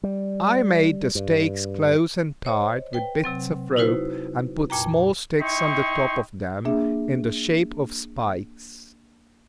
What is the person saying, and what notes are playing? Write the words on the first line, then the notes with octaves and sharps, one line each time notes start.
I made the stakes close and tight with bits of rope; and put small sticks on the top of them in the shape of spikes.
G3
G2
C5 C#5 D#5
B4 G5
C3 F#3 C4
D#4 E4 F#4 B4 C5
F2 A#2 G5 A#5
D#4 E4 G5 C6 C#6
A#3 D4 G#4 E5